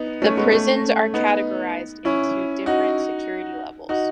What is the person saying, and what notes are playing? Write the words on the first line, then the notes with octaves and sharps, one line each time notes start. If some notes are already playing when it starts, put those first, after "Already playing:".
The prisons are categorized into different security levels.
Already playing: B3 D#4
A3 C#4
G#3 B3
A3 C#4
B3 D#4
C#4 E4
D#4 F#4
D#4 F#4